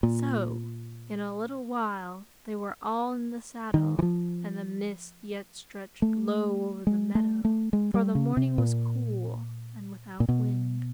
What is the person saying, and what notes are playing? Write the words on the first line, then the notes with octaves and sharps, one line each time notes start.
So in a little while they were all in the saddle, and the mist yet stretched low over the meadow; for the morning was cool and without wind.
A#2
D#3
E3
F3
A3
G#3
A3
A3
G#3
G3
C#3
C3
A#2
A#2
B2